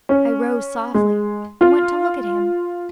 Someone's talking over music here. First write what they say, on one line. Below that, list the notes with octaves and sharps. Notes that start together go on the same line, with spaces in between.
I rose softly, and went to look at him.
C#4
G#3
F4